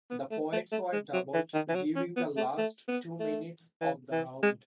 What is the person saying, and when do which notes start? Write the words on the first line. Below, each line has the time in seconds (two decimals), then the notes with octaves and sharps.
The points were doubled during the last two minutes of the round.
0.11 B3
0.31 A3
0.52 A3
0.72 A3
0.92 G#3
1.13 F#3
1.34 E3
1.54 D#3
1.69 E3
1.75 F#3
1.96 C#4
2.16 B3
2.37 A3
2.58 A3
2.88 B3
3.20 A3
3.81 E3
4.12 E3
4.43 G#3